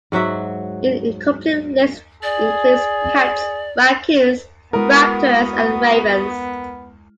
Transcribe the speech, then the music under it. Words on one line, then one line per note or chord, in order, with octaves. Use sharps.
An incomplete list includes cats, raccoons, raptors and ravens.
G#2 F#3 F#4 E5
G#4 D5
G#3 B3 E4 F#4 A#4 D#6